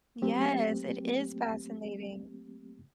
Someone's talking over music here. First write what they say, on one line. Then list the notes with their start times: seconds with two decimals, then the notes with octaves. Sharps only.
Yes, it is fascinating.
0.22 F#3 A3 A#3 C4 G4